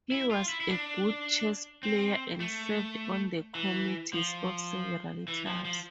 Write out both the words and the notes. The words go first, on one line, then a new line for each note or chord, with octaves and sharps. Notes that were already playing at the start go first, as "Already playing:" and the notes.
He was a good chess player, and served on the committees of several clubs.
E4
F4
E4
E4
D4
C4
A3
E3
F3
E3
F3
F3